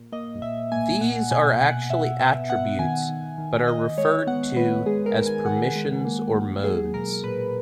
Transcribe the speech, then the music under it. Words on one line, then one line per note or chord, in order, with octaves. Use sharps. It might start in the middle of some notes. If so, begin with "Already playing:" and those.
These are actually attributes but are referred to as permissions or modes.
Already playing: A#2
A#3 D#5
A#2 E5
A#3 G#5
A#2 F#5
B2 G#5
B2 F#5
B2 E5
B3 E5
B3 F#5
D#3 G#5
D#3
D#3
D#3 D#5
G#3 C#5
B3 F#5
D#3 B4
G#3 G#4
A#4
D#3
G#5
D#3 F#5
G#3
A#3
F#3
F#3 G#4
B2 A#4
A#2 B4